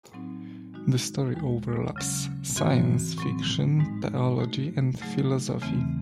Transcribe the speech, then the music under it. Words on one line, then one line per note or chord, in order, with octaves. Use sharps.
The story overlaps science fiction, theology, and philosophy.
A2 F#3 C4 D#4
D#3 G#3 D#4 F#4
D#2 D#3 G#3
C#3 F#3 C#4
G#2 E3 C4 F#4
A2 F#3 C4
G#2 D#3 G#3 D#4
G#2 D#3 A3 D#4 F#4
C#3 F#3 A3 D#4 G#4
E2 C#3 E3 A3 C4